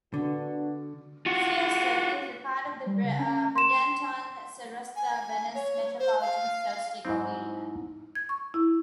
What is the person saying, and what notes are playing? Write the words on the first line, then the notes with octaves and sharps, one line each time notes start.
Siesta Key is part of the Bradenton-Sarasota-Venice Metropolitan Statistical Area.
D3 B3 D4 F#4
F4 F#4
G3
C#3
C#4
C6 E7
G#5
C#5
C5
F5
G#2 F#3 C4 D#4 E4
G#6
C#6
E4